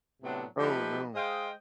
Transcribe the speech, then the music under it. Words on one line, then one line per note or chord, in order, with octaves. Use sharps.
Oh, no.
A2 C3 F#3 B3 D4
F3 A3 D#4 G4 B4
G#3 C5 D#5 F5 G5